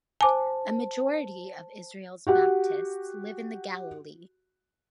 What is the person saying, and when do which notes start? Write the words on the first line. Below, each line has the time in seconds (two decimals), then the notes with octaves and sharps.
A majority of Israel's Baptists live in the Galilee.
0.21 C5 G#5 A5 D6
2.27 F#4 G4 F#5